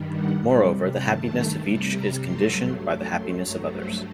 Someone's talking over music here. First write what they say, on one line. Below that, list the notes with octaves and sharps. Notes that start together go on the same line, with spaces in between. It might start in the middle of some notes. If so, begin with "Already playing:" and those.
Moreover, the happiness of each is conditioned by the happiness of others.
Already playing: G2 D#3 G3
F#5
C3 G3
G2 D#3 A3 A5
C3 G3
A#5
G2 F#3 A3 C6
F#2 F#3 A3 D6
C6
G2 F#3 A3 A#5
C5